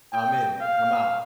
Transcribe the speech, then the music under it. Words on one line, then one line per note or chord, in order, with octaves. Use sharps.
"I'm in. I'm out."
G5
F5